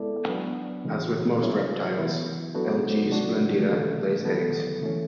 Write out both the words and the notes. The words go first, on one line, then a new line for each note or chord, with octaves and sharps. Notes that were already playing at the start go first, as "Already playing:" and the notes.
As with most reptiles, "L. g. splendida" lays eggs.
Already playing: G#3 B3 E4 A4 D5
F#3 B3 D4
C#3 E3 G#3
F#3 C#4 E4 G#4 C#5
E3 B3 E4
F#3 B3 D4 F#4 A4
C#3 F#3 A3 D4 F#4
D3 A3 C#4
F#3 B3 E4 A4
C#3 E3 A3 C#4